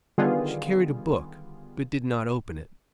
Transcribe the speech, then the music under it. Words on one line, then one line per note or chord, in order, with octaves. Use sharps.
She carried a book, but did not open it.
D3 D#3 G3 B3 F4 G#4